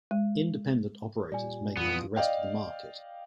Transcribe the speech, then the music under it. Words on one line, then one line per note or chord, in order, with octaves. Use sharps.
Independent operators make up the rest of the market.
G#3
A#2 G3 D5 G#5
F2 E3 B3 F4 D#6 D7
D5 D#5 F5 G5